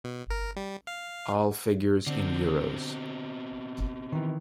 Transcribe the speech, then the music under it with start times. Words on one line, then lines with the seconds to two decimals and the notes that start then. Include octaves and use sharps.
All figures in Euros.
0.04 B2
0.31 A#4
0.56 G3
0.87 F5
2.07 B2 D3 C4
4.12 D#3 E3